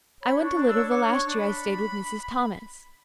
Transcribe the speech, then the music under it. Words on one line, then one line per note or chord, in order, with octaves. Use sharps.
I went a little the last year I stayed with Mrs. Thomas.
C#5 B5
D4
C#6
D4
E6
C#5
C#5 D6
D4
C#6
D4
D4 B5